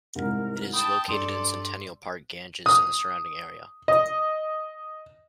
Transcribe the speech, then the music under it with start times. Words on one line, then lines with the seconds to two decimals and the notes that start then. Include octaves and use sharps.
It is located in Centennial Park, Ganges and the surrounding area.
0.15 C2 G#2 A#4
0.73 G5 A5 B5 D#6
1.08 G2 A4 D5 C6
2.66 D#6
3.88 D#5